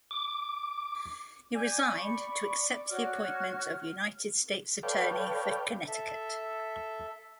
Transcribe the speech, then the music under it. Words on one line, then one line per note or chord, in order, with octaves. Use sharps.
He resigned to accept the appointment of United States attorney for Connecticut.
D6
D5 G#5 G6
B5 C#6
F#4 C#5 F6
A4 B4 C#5 D5 F5 G5
A4 E5